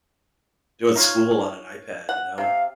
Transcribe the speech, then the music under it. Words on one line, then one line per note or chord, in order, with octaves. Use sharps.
doing school on an iPad, you know,
D#4 F4 C#5
F#5
C3 F5